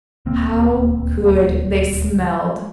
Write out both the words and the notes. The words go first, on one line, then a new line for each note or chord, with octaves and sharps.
How good they smelled!
D#1 D2 A#3 C4